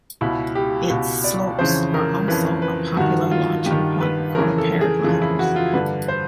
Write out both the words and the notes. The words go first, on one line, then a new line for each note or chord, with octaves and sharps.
Its slopes are also a popular launching point for paragliders.
C#2 B2 E4
G4
C#2 B2
D5
F2 C#3 E3 C5
A#4
F2 C#3 E3 B4
B4
G2 D#3 F#4
F4
G2 D#3 G4
B4
F2 C#3 E3 A#4
A4
G#4
F2 C#3 E3 F4
E4
F#4
F4
G2 D3 B4
C5